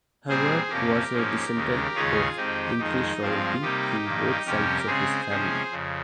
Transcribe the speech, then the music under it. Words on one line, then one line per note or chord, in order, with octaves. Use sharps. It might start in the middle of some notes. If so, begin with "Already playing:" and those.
Howard was a descendant of English royalty through both sides of his family.
A#2 G3 C4 G#4 C5
F2 C3 F3 A#3 C#4 G4 A#4
G#2 F3 A#3 C#4
D#2 C#3 G#3
D#2 C#3 G#3 C#4 F4 G#4
F2 D#3 G#3 C4 D#4 G4
F2 D#3 G#3 D#4
G2 F3 G#3 C4 F4
C3 G3 A#3 D#4 G4
G2 D#3 A#3
F2 C3 G3 C#4 G4 A#4
C#3 G#3 C4 G#4 C5
C3 F3 G#3 C#4
F2 C#3